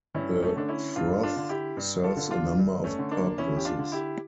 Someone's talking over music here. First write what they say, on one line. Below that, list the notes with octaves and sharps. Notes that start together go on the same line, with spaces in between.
The froth serves a number of purposes.
G2 C#4 E4
A3 C#4
D3 D4
C#4 E4
G2 D4 F4
D4 F4
D3
E4 G4
G2
F4 A4
D3
D4 F4
G2
A3 C#4
D3
A#3 D4
E2 C#4 E4
G4
D4 F4
D3
E4 G4